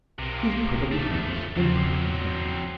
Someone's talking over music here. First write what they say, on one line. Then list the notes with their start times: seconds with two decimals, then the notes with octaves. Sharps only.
He is perfectly harmless, and perfectly happy.
0.19 B1 C3 A#3
0.92 F3 A3
1.56 E2 C#3 F3 F#3 C4